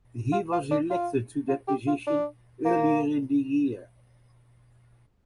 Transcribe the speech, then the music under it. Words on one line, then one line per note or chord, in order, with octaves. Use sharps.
He was elected to that position earlier in the year.
F4
F4
D4
F4
F4
G4
F4
D4
A#3